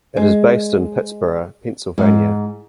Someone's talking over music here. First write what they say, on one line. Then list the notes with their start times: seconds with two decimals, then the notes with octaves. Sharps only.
It is based in Pittsburgh, Pennsylvania.
0.17 G#3
1.98 G#2